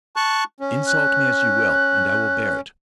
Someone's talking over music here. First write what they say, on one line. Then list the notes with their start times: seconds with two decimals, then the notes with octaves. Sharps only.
Insult me as you will, and I will bear it.
0.16 A5 C#6 F#6
0.61 C#4
0.87 F#6